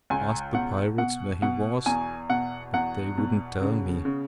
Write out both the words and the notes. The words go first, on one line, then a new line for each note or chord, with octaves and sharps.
I asked the pirates where he was; but they wouldn't tell me.
C#2 G#5
B2 F#5
B2 F#5
B2 F#5
E2 G#5
B2 F#5
E2 F#5
B2
C#3
C#3